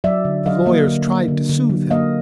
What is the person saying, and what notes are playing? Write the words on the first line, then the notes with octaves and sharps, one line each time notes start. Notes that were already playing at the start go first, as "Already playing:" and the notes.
The lawyers tried to soothe him.
F#3 D5 E5
D3
F#3 D#5 F5
A#3 D#5 F5
D3
A#3
D3
D3
F#3
A#3 D#5 F5